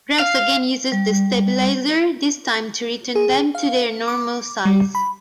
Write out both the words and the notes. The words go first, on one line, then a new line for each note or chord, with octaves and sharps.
Drax again uses the stabilizer, this time to return them to their normal size.
F5
G3
G#4
F5
D6
G3
B5